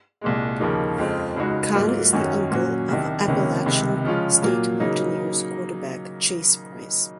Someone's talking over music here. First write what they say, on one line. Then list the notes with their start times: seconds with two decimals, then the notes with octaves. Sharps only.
Conn is the uncle of Appalachian State Mountaineers quarterback Chase Brice.
0.21 C2 A#2 G#3
0.60 D#2 C#3 F3 A#3 D#4
0.98 F2 C#3 G#3 C4 F4
1.36 C#2 C#3 G#3 D#4 F#4
1.74 G#2 F#3 A#3 F4
2.13 F#2 D#3 F#3 C#4 F#4
2.51 A#2 F#3 C#4 F#4
2.89 C2 C3 D#3
3.27 C#2 C3 D#3 A#3 C#4
3.65 C#2 C3 D#3
4.04 C#3 F3 G#3 C#4 F4
4.42 A#2 F#3 A#3 F4
4.80 C#3 F#3 A#3 D#4